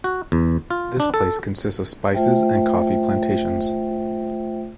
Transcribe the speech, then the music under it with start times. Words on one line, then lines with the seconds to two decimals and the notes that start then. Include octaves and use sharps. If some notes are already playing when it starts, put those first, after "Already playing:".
This place consists of spices and coffee plantations.
0.04 F#4
0.32 E2
0.70 F4
1.00 D4
1.14 A4
2.14 A3 F4 C5 E5 G5